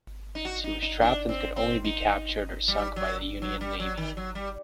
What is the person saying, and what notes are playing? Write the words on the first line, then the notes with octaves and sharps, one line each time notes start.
She was trapped and could only be captured or sunk by the Union Navy.
D#4
F#4
D#4
D#4
D4
C4
C4
D#4
G3
F#3
F#3
G3
F#3
D#3
F#3
G3